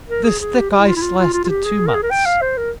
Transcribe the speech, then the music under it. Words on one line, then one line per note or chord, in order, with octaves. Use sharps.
This thick ice lasted two months.
A#4
G#4
G#4
G4
G4
E4
F4
E4
F4
F4
F4
F4
G4
G#4
A#4
G#4
A#4
G5
F5
C5
A#4